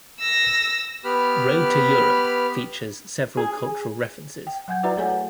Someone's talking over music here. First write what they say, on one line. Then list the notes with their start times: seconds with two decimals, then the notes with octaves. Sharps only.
"Road to Europe" features several cultural references.
0.20 E6 A#6
1.04 B3 G4 B4 B5 F6
3.37 G#4
4.47 G5
4.68 F#3 F#5 G#5 G6 G#6
4.83 E4 F#4 B4 D5 E5 A#5
4.97 A3 G#4 A4 C#5 F#5 G#5